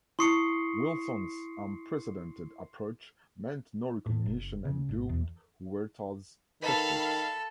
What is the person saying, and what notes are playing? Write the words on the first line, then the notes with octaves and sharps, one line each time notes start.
Wilson's unprecedented approach meant no recognition and doomed Huerta's prospects.
E4 C6 C#6 D#6 C7 C#7
A2
F#1
C#3
G#1
E2
D#3 A4 B4 D#5 F5 A#5 B5